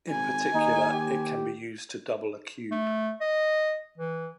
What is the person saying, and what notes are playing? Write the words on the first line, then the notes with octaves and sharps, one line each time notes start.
In particular, it can be used to double a cube.
G#1 G#5
D#2 D#4
G4
A3
D#5
E3